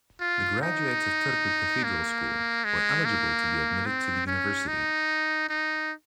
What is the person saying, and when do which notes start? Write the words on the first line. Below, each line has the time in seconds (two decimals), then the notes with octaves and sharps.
The graduates of Turku Cathedral School were eligible to be admitted to the university.
0.20 F4
0.62 D#4
1.84 A#3
2.64 G#3
3.05 A#3
3.86 C4
4.27 C#4
4.67 D#4
5.49 D#4